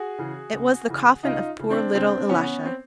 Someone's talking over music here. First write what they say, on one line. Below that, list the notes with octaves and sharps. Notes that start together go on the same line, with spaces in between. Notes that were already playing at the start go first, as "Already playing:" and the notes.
It was the coffin of poor little Ilusha.
Already playing: F#4 G#4
C#3 E3
C#2
C#3 E3
C#2 D#4 F4
C#3 E3
C4 D4
C#2 C4 D4
C#3 E3 B3 C#4
C4